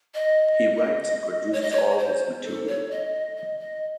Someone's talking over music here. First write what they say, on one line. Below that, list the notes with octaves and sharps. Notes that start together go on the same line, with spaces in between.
He writes and produces all his material.
D#5
C#5
D#5
C#5
C5
A4
C#5
D#5
D#5
D#5